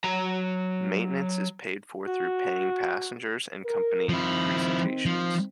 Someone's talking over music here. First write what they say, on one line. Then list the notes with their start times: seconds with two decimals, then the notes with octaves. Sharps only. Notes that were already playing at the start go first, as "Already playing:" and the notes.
Maintenance is paid for through paying passengers and company presentations.
0.04 F#3 A#5
2.07 F#4
3.64 A#4
4.09 D#3 F3 C4 E4
5.06 F3